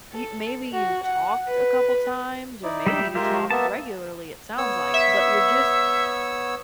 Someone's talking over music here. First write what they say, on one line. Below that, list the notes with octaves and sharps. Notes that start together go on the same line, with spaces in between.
y maybe you've talked a couple times- or maybe you talk regularly, it sounds like- but you're just
A4
F#4
F#5
B4
D#4 E4 D5
G3 E5 G5
G#3 F4 G4 A#4 E5
A#3 B3 E5 A5
B3 C#5 E6
E5